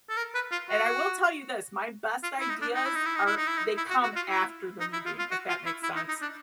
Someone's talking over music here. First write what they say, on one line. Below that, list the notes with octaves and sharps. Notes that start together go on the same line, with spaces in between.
And I will tell you this, my best ideas are they come after the meeting, if that makes sense.
A4
A#4
B4
F4
F#4
F4
E4
D#4
D4
D#4
E4
D#4
E4
D#4
E4
D#4
E4
D#4
E4
F#4
F#4
F4
E4
D#4
E4
F4
F4
F#4
F4
E4
E4
D#4
D#4
D4